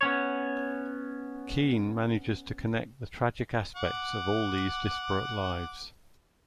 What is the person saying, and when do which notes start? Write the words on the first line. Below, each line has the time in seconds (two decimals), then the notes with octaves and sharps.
Keen manages to connect the tragic aspects of all these disparate lives.
0.01 B3 C#4 C#5
3.76 F#5 D6